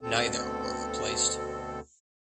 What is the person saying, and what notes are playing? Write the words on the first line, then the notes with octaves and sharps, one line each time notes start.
Neither were replaced.
D2 B2 C4 A4